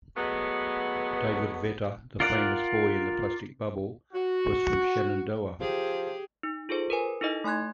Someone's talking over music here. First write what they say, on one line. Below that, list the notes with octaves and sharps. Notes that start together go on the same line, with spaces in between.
David Vetter, the famous "boy in the plastic bubble", was from Shenandoah.
F#3 G#3 A3 B3
F4 A#4 D5 F#5
F#4
F3 G4 G#4
D#4
F4 G#4 A4 C5
A#4 B4 G#5
D#4 E4 A4 D#5
A3 G#5 C6 F#6 G#6